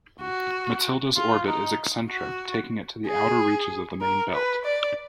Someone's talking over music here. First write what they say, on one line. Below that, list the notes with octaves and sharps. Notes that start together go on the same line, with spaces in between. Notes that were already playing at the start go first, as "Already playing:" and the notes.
Mathilde's orbit is eccentric, taking it to the outer reaches of the main belt.
F#4
F4
D#4
F#4
G#4
A#4
B4
D5